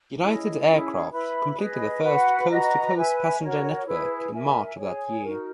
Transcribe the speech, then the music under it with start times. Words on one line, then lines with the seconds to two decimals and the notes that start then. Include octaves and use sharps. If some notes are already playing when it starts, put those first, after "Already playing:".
United Aircraft completed the first coast-to-coast passenger network in March of that year.
0.19 C#4 E4 G#4 D#5
0.64 C#4 E4 G#4
1.11 E4 B4 E5 B5
1.57 G#4 B4 D#5
2.02 F#4 B4 F#5
2.48 F#4 B4 D#5 A#5
2.94 B4 E5 G#5
3.40 F#4 A#4 C#5
3.85 E4 G#4 B4
4.32 A#4 E5 G#5
4.78 G#4 C#5 G#5
5.24 D#4 F#4 A#4